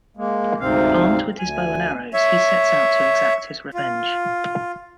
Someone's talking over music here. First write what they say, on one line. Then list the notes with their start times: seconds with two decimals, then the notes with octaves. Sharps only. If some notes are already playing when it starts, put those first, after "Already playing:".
Armed with his bow and arrows, he sets out to exact his revenge.
0.17 G#3 A#3
0.60 D2 G#2 C3 C4 F5
1.39 D2 G#5
2.13 C#5 E5
3.74 F4